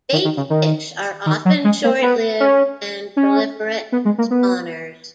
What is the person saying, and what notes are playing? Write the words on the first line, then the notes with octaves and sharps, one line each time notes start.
Bait fish are often short-lived and proliferate spawners.
D#3
D#3
C#3
D#3
D#3
F#3
G#3
A#3
B3
C#4
C#4
B3
G#3
A#3
B3